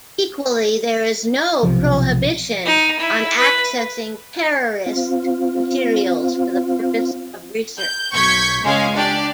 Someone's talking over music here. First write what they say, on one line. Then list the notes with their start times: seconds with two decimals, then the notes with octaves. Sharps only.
Equally, there is no 'prohibition' on accessing terrorist materials for the purpose of research.
1.63 B1 C3 F3
2.66 D#4
2.99 E4
3.38 B4
4.86 C4 F4
7.79 G6
8.13 B1 C#6 G6 G#6 B6
8.63 C#2 G#3 C#4 F5 G#5
8.95 D4 G4 D5